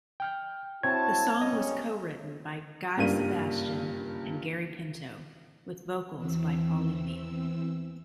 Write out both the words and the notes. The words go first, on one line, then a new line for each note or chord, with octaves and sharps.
The song was co-written by Guy Sebastian and Gary Pinto, with vocals by Paulini.
G5 F6 G6
C4 E4 F#4 C#5 A5 G#6
C2 G3 C#4 D#5
F#1 C#2 G2 G3 A#3 D#7
E2 E3 C4 E6